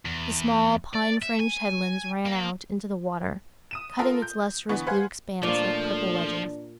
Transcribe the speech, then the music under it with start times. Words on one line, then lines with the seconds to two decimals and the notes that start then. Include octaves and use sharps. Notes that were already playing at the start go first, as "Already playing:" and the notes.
The small, pine-fringed headlands ran out into the water, cutting its lustrous blue expanse like purple wedges.
0.05 E2
0.94 D5
1.22 E5
1.40 G#5
2.26 A#3
3.71 D#6 D#7 E7
3.99 F4 A4 A#4
4.22 G6
4.69 D3 E3 B3 C#6
4.87 B4 C5 F5 F#5 G#5 G#6
5.43 A#2 F3 A3 A#3 D4 D5